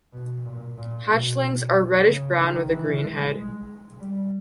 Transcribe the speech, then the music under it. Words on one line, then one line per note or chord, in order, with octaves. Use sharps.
Hatchlings are reddish brown with a green head.
B2
A#2
A#2
B2
C#3
D#3
E3
G#3
G#3
G3